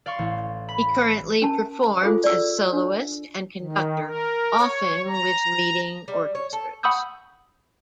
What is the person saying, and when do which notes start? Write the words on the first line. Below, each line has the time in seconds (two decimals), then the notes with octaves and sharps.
He currently performs as soloist and conductor, often with leading orchestras.
0.06 D5 F5 C6 C#6
0.19 A1
0.69 B5
1.42 C#4 A#4 A5
2.02 F4 G#4 A4 C5 F5
2.24 D5 E6
2.73 D4
3.59 D#3
4.05 A#4
4.57 C#5
5.08 A#5
6.08 G3
6.35 C#5
6.53 A4
6.83 F#5 B5 C#6 D#6 E6 G6